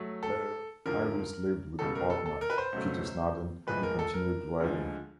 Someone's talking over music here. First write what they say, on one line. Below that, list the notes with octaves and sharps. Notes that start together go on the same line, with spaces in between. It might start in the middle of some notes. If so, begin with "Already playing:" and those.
Later Iris lived with a partner, Peter Snadden, and continued writing.
Already playing: F#3 A3
A4
F1 F2 D3 F3 A#4
C#2 B2 G3 A4
A#4
A4
A4
A#4
B4
C5
C#2 B2 F#3 A3
A#1 A2 F3 G#3 B4
A#4
A4
A#4
D2 D3 F3 G#3